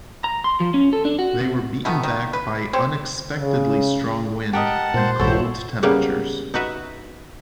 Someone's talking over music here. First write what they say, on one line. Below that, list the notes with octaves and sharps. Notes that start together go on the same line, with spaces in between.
They were beaten back by unexpectedly strong wind and cold temperatures.
A#5
C6
F3
C#4
A4
D4
F#4
C3
B2 D#3 A3 B3
D#3
B4
C4 G4 C#5
C#3
G4 A#4 D#5 F#5 A5
A#2 C5
A#1 G2 D#3 E4 F#4 A4 C#5
C#3 G3 A#3 B3
D#4 F#4 B4 E5